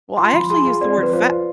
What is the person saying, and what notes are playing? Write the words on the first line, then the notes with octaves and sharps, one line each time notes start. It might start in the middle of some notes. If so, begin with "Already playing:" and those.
Well, I actually use the word fa
F4 C6
F3 B5
G#4 C6
F4
C4 D5
F3
B4
F4 C5
F4